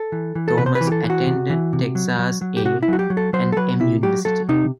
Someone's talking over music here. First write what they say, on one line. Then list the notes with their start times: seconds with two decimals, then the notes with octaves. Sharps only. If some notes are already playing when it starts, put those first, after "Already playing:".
Thomas attended Texas A and M University.
Already playing: A4
0.12 E3
0.35 E3
0.48 A4
0.58 C3 B4
0.66 C5
0.75 B4
0.81 E3
0.87 G4
0.92 A4
1.04 E3
1.10 F#4
1.27 C3
1.50 E3
1.73 C3
1.95 F#3
2.19 F#3
2.41 F#3
2.57 G4
2.65 C3 F#4
2.83 E4
2.88 F#3 F#4
2.99 G4
3.10 F#3
3.17 A4
3.33 F#3 C5
3.52 A4
3.57 F#3 B4
3.80 C3 E4
4.03 F#3 G4
4.25 F#3 A4
4.49 C3 D#4